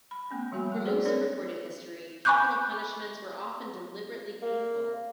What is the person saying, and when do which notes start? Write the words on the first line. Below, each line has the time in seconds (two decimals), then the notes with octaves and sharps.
For most of recorded history, capital punishments were often deliberately painful.
0.11 B5
0.31 A3 B3 C#4
0.52 F3 G3 A#3 F#4 G#5
0.72 A3
0.85 G#4 C5 D5
1.05 C4 D4 G#4 A#4 B4 C#5
2.25 G#5 B5 C#6 D6 F#6 G6
4.42 A#3